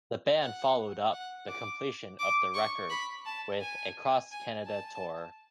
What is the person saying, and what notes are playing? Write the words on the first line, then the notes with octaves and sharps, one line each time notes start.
The band followed up the completion of the record with a cross-Canada tour.
F#5
F#5
D6
D6
C#6
B5
A5
G#5
G#5
A5